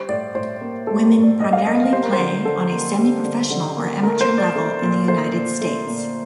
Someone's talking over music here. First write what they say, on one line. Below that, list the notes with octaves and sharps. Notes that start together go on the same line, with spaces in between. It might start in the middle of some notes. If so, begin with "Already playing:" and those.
Women primarily play on a semi-professional or amateur level in the United States.
Already playing: G3 C5
A2 D5
A2 C5
A#3
G3 A4
A#4
A2
D5
A2 D#5
F5
A#3 D#5
G3 C5
A#4
C5
D3
D3 A4
A#3
G3
D3
D3
A#3
A3 A#4
C5
A#2
D5
A3
A#2
A3 C5
A#2
A3
A#2